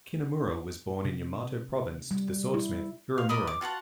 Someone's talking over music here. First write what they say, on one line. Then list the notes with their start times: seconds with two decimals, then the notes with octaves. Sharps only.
Kunimura was born in Yamato province to the swordsmith Hiromura.
1.05 C3
2.11 G3
2.54 E4
3.18 F5
3.29 A#4 D5 D#5 B5
3.47 D6
3.61 F4 F#4 F#5 A5